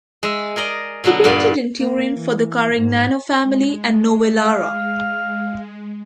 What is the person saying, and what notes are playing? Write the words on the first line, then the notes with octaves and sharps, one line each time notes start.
He painted in Turin for the Carignano family and Novellara.
G#3 E5
G#4 A#4 D5 D#5
B2 D3 F#3 B3
G2 A#2 B3 D5 G#5
A#3
E3
G#2
G#3
F5 F6